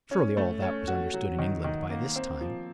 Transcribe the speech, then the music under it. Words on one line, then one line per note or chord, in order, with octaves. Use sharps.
Surely all that was understood in England by this time.
C#4
A3
C#4
F#4
F#3
D#3
D#3
A#3
C4
F3